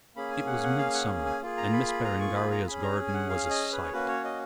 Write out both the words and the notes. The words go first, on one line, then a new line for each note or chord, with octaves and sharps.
It was midsummer, and Miss Berengaria's garden was a sight.
A#3 C#4 G#4 B5
G#5
F#5
F#5
F5
F#5
G#5
A#3 F4 G#4
A#5
B5
B5
A#5
C#6
B5
A#5
C#4 G#4 B5
A#5
G#5
F#5
F5
D#5
B4
C#5
A#3 C#4 F#4 B4
C#5
D#5